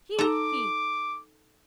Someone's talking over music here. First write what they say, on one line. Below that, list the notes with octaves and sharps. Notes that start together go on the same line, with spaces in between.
He! he!
D#4 A4 A#5 D6